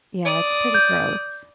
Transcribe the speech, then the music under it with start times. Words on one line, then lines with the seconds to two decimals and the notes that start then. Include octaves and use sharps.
Yeah, it's pretty gross.
0.25 D5 D#6
0.74 G6